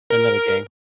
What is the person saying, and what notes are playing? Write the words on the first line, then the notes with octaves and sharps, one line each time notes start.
Another game?
A#4